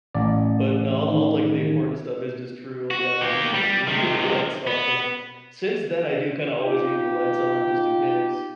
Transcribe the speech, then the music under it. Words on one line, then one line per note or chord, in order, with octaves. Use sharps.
But, no, all all, like, the important stuff is just true. Yeah, I was just, like, eating with the lights off and since then, I do kinda always eat with the lights on just in case.
A1 D5
D#3
F#4
A#3 G4
G3
C3 D#3
B3
D#4 F4 G4